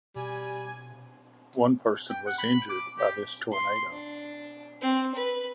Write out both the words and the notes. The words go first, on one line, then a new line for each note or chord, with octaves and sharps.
One person was injured by this tornado.
B2 G3 G#5
G5
F#5
B5
D6
G4
C6
D4
C4
B4